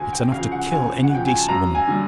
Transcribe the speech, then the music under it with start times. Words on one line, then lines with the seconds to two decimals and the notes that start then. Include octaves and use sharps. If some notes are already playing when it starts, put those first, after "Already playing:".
It's enough to kill any decent woman.
Already playing: D2 G#5
0.13 G5
0.32 C#3 F3 F5
0.52 F#5
0.71 D2 G#5
1.03 F#5
1.10 C#3 F3 G5
1.26 G#5
1.38 A5
1.48 F#2 A#5
1.75 G#5
1.88 D3 G3